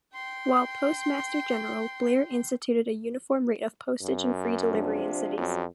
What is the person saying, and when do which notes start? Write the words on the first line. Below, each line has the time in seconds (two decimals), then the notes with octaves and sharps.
While Postmaster-General, Blair instituted a uniform rate of postage and free delivery in cities.
0.14 G5 C6
4.01 F#2
4.68 C3 F3 D4
5.37 F2 F#3 C#4